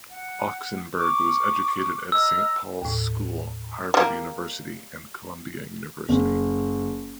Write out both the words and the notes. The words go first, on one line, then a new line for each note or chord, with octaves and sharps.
Oxenberg was educated at Saint Paul's School, Harvard University, and Columbia University.
F#5
C#6 D6
D#5 A#5 E6 F6
D#2 A2
G3 A#3
F#1